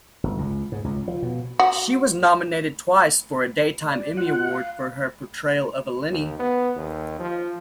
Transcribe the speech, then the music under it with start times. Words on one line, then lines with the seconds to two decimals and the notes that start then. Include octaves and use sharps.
She was nominated twice for a Daytime Emmy Award for her portrayal of Eleni.
0.23 G1
0.38 C#2
0.72 G#2
0.84 C#2
1.08 F3
1.22 B2
1.59 F#4
3.87 D5
4.17 F4 F#5
4.47 F5
6.10 D#2
6.40 B3
6.76 D#2
7.20 F3